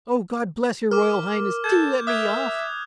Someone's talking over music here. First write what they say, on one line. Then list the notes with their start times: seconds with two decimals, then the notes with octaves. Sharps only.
'Oh, God bless your royal highness; do let me off!
0.91 A#4 D6 F6
1.64 A4 G6 G#6
2.07 E5 D#6 F#6 G#6